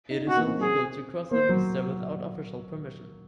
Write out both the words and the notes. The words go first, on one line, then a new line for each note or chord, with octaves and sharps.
It is illegal to cross the vista without official permission.
D#4
D#4
C#4 F#4
A#3
C4
G#4
A#3 C5
F#3